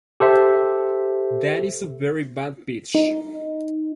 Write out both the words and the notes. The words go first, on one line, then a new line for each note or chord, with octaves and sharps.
That is a very bad pitch.
G4 A4 C5 E5
D#4